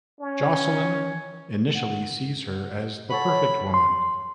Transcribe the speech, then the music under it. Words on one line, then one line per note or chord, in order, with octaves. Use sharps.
Jocelin initially sees her as the perfect woman.
C#4
F#5
A4 C#5 F#5 B5
C6